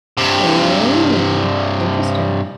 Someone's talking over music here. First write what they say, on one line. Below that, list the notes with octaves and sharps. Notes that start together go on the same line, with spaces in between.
Mm. Interesting.
G2 C3